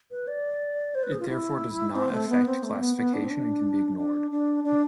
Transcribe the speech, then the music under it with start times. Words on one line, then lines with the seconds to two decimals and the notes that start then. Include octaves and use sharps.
It therefore does not affect classification and can be ignored.
0.11 B4
0.27 D5
0.95 C5
1.03 B4
1.12 G#4
1.20 F4
1.28 E4
1.95 C4
2.12 A3
2.29 B3
2.46 C4
2.63 A3
2.76 C4
2.79 B3
2.96 B3
3.13 D4
3.24 C4
3.30 D4
3.97 D4
4.31 D4
4.64 D4